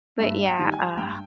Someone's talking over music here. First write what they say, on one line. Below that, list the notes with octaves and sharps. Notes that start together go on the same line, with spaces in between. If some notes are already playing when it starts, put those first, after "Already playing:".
But yeah, uh
G2 E5
G5
D#3 G3
G#5
G2 G5